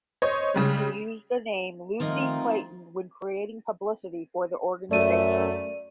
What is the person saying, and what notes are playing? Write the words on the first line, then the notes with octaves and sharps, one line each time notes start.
She used the name "Lucie Clayton" when creating publicity for the organisation.
C5 C#5 D#5
C#3 G3 G#3
D#3 F3 A3 A#3 C4 D#4 F4 D#5
F#2 A3 D5 D#7